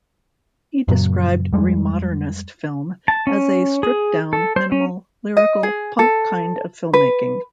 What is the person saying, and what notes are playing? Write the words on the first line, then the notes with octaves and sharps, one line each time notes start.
He described Remodernist film as a "stripped down, minimal, lyrical, punk kind of filmmaking".
F#2 A#2 C#3 F#3
F2 G3 G#3
A5
C#4
G#4
A4
C5
C#4
D#5
G#4
A4
B4